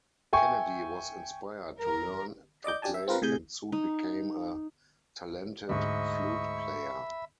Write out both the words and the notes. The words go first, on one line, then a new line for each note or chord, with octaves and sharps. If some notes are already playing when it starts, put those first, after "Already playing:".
Kennedy was inspired to learn to play and soon became a talented flute player.
E5 G5 G#5 C#6
A#4
D5 D#5 D6 G6
D4 G4 D5 G#5 A5
E5
C4 F4 A#4 B4
A2 C3 G#4 G#5 G6
D#4
D2 G#2 D#5 E5 B5 C#6